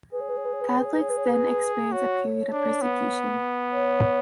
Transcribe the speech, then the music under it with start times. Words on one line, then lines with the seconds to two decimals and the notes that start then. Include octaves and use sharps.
Catholics then experience a period of persecution.
0.12 G#4 B4
0.20 C#5
0.29 B4
0.37 C#5
0.45 B4
0.53 C#5
0.61 B4
0.68 C#5
0.77 B4
0.85 C#5
0.93 B4
1.01 C#5
1.09 B4
1.17 C#5
1.25 B4
1.92 F#4 C#5
2.52 D4
2.82 B3
3.72 C#5